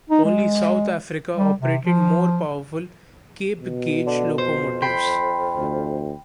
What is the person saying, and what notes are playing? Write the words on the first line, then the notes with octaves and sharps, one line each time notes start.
Only South Africa operated more powerful Cape gauge locomotives.
D#4
G#3
G3
C3
F3
B2
D3
F2 C5
G5 B5 C6
D2